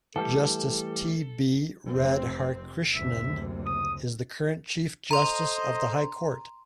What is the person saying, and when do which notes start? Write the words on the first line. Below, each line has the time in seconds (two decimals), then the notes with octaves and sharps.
Justice T B Radhakrishnan is the current Chief Justice of the High Court.
0.16 E3 G3 A3 A4
1.91 F1 C3 C4
2.95 F#1 D2 C3 E5
3.66 D#6
5.11 A4 C5 D#5 A#5 C6